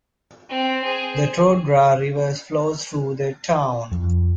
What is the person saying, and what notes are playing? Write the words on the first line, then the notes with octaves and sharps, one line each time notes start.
The Tordera River flows through the town.
C4
G#4 C5
F2